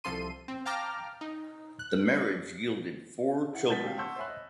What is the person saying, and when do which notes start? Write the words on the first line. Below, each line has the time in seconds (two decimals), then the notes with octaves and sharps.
The marriage yielded four children.
0.04 C2 C3 F3 A4 C6 D#7
0.48 C4
0.65 F5 G5 A5 A#5 D6 F6
1.21 D#4
1.79 F#6
3.53 E4 F#5 C#7
3.68 B2 G#3 F#4 G6 A6 B6
3.82 C4 G4 F5
3.97 F#5 A5 C6 C#6 E6 G6
4.16 C5 C#5 E5 G#5 B5 F#6
4.28 D#5